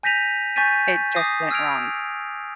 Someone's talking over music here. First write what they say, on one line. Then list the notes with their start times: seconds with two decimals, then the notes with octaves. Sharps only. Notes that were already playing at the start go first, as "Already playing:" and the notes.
it just went wrong,
0.03 G#5 G6 A#6 B6 D#7 F7
0.56 G#5 C#6 G6 A6 B6 D#7
1.14 D6 D#6 A#6 C7 D#7
1.51 E6 F6 G#6 D7 F7